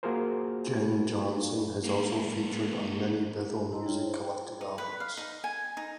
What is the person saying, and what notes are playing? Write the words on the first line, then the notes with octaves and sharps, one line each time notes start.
Jenn Johnson has also featured on many Bethel Music collective albums.
A#3 F4 F#4 G#4 A#4 C5
G#3 A#3
D#4 E4 D#5 A5 A#5 C6
E4 F4 G#4 C#5 G5
C5
G5
D#4
B4
F5
D#4
G#5
D#4